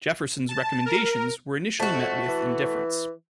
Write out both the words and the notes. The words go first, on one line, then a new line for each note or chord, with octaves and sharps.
Jefferson's recommendations were initially met with indifference.
A5
A#4
F2 A3 F#4
E3